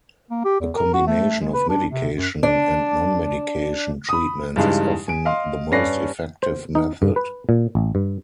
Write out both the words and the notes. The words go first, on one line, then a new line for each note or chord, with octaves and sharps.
A combination of medication and non-medication treatments is often the most effective method.
A#3
G4
E2
A#4
F#4
A3
G#3
B4
D4
C3
F#2
D4
B5 D#6
G2 C#3 E3 G3 G#3 D#4
G#5 D7
D#5 F5 C6
G2 C#4 B4 D5 A#6 C7
C5
D#4
G2
B4
A#2
A1
G2